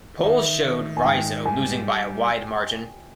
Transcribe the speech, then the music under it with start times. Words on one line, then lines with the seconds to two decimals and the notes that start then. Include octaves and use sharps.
Polls showed Rizzo losing by a wide margin.
0.23 D#3 E5
0.65 D#3
0.97 G#5
1.05 G#2 G5
1.46 G3 G#5